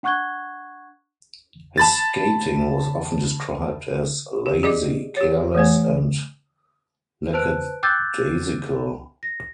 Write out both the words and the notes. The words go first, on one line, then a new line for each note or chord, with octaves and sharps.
His skating was often described as "lazy", "careless" and "lackadaisical".
D4 F#5 C#6 F#6 G#6 G7
A5 B5 A6
G4
G#4 D5 D#5 D6
G4 C#5
E3 A3 C5 G#5
B4 C5 A5 F#6 D7
G5 D6 E6 F#6 G6 A6
A#6